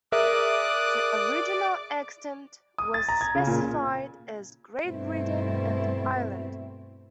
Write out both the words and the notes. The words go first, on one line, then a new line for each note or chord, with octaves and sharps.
The original extent was specified as "Great Britain" and "Ireland".
G#4 A#4 D5 E5 D#6 F#6
D#6
A6
A#5
G#6
C#3
A#2
G2 B2 A3 C4 E4